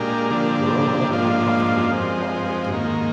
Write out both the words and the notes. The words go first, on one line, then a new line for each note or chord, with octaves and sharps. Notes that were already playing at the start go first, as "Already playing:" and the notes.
We're all a lot more comfortable with what we're doing.
Already playing: A#2 G#3 D4 G4 A#4
D3 F3 A#3 D4 G4
G#2 F3 A#3 D4 F4
F3 G#3 C4
G#2 D#3 A#3